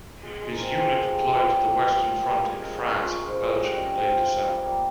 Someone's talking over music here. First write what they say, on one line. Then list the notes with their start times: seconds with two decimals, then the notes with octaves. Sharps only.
His unit deployed to the Western Front in France and Belgium in late December.
0.23 G#3 G#4
0.42 G#3
0.51 A#4
0.60 C4
0.78 F4 G#4
0.97 G#3
1.06 G4
1.16 G#3
1.34 G3 F4
1.52 G3
1.62 F4
1.70 A#3 G4
1.77 F4
1.89 F4 G4
2.08 G3 G4
2.26 G3 A#4
2.45 G#3 A#4
2.63 G#3
2.81 C#4
3.00 F4 A#4
3.18 G#3
3.27 C5
3.36 G#3
3.55 G3 D#5
3.69 G3 D#5
3.83 D#5
3.91 C4
3.97 F5
4.10 F4 F5
4.28 G3
4.47 G3
4.65 A#3